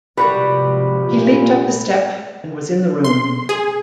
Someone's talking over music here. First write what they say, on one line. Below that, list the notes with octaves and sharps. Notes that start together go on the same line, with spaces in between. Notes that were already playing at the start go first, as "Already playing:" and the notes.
He leaped up the step and was in the room.
G#2 C3 F3 G3 F#4 G4 B4
A#2
C6
G#4